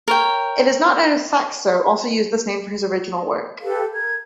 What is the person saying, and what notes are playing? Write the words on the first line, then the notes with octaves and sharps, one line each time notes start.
It is not known if "Saxo" also used this name for his original work.
A#4 C#5 G5
G4 A4 B4 F5
A#4 G#6